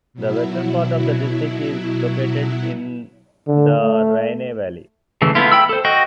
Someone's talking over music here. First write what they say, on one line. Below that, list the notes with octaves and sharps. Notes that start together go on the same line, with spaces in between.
The western part of the district is located in the Rhine valley.
B2 F#3 E4
D3
A3
C#3 E3 A3
A3 B3 E4 F4
G5 B5 E6
A4 C5
F#4 D#5 G5